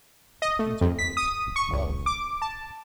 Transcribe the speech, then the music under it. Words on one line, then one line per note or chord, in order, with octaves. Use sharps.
Internodes, of.
D#5
A3
F2
B6
D#6
C#6
C#2
D6
A5